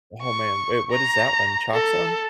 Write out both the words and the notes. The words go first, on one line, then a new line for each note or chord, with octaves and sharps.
oh, man, wait, what is that one? Chalkzone?
C#6
A#5
A4